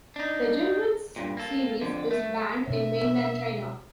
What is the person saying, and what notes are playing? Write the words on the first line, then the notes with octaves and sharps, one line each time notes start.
The "Generals" series is banned in mainland China.
D4 D#4
G2 A#2
A#3 A4
F2 D3
A3
B2 C4 D4 E5